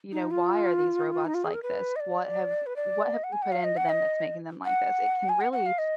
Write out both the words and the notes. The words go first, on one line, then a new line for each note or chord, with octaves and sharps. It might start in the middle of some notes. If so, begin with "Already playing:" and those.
You know, "Why are these robots like this? What have what have we put into them that's making them like this?" It can really,
D#4
F4
D#4
F4
G#4
A#4
B4
D#5
D5
B4
D5
D#5
F#5
G#5
F#5
F5
D#5
F#5
D#5
F#5
G#5
F#5
F#5
F5
D#5